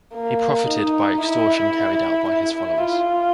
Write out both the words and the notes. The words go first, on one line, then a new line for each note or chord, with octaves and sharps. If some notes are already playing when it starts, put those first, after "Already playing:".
He profited by extortion carried out by his followers.
A#3
D#4
E4
E4
F4